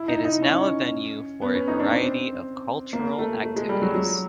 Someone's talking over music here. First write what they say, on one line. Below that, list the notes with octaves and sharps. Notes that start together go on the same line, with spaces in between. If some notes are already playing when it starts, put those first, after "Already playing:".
It is now a venue for a variety of cultural activities.
Already playing: E4
D#4
D#4
C#4
B3
C#4
D#4
D4
C4
A#3
A3
A3
G#3
G3
F#3
F#3